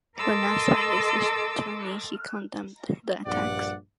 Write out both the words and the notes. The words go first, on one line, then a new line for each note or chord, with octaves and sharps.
When asked by his attorney, he condemned the attacks.
A4 A#4 D#5 C6 D6 E6
A#1 G2 D5 F#5